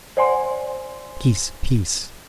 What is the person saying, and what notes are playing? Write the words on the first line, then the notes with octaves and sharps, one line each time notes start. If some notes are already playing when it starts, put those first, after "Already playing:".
Peace, peace!
C5 D5 F#5 G#5 C6